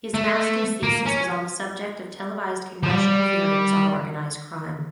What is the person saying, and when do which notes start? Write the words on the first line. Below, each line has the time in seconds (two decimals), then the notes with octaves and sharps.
His master's thesis was on the subject of televised congressional hearings on organized crime.
0.14 A3
0.83 A#3
1.06 C#4
2.83 F3
2.89 G3